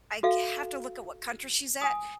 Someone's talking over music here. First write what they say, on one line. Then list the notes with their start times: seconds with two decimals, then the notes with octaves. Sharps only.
I c have to look at what country she's at.
0.23 F#4 A4 E5 F5
1.82 G#5 D#6